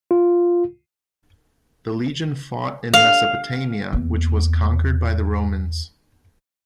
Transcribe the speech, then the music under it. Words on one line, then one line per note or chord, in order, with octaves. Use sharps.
The legion fought in Mesopotamia, which was conquered by the Romans.
F4
F5
E2 A#3